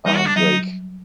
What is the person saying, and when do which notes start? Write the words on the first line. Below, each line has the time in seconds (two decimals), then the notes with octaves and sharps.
um, like
0.06 G3 D#4
0.16 F#4
0.26 D4
0.36 F#3 D#4